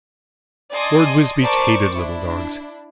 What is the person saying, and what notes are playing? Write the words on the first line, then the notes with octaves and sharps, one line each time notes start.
Lord Wisbeach hated little dogs.
D5 D#5 G#5 A5 C6 D#6
A#4 C5 D5 A5 C#6 D6
D4 E4